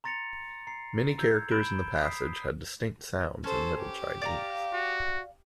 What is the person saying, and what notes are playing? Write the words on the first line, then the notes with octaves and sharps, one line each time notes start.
Many characters in the passage had distinct sounds in Middle Chinese.
A#5 C6 A6 A#6 C#7 F7
A#5 C7
A#5 E6 G6 G#6
B5 G6 D7 E7 G7
D#6 B6 C7
C#4 A4 C5
G4
D5 F5 A#5
F#4